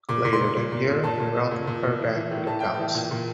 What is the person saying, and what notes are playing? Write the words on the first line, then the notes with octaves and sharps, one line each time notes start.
Later that year, he welcomed her back to the palace.
A#2 D6
A#2
C6
A#2
A#2
A#2
A#2
A#2 A5
A#2
A#2
A#2
A#2
A#2
E3
E3
A2
E3 A5
A2 G5
E3 A5
A#2
A#2